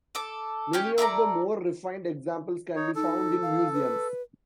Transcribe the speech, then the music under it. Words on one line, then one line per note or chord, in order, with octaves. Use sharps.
Many of the more refined examples can be found in museums.
A4 D6
C#4 G4 C#5
E4 A4 D5 A#5
D#4 C#5
D#4 A4
F5
B4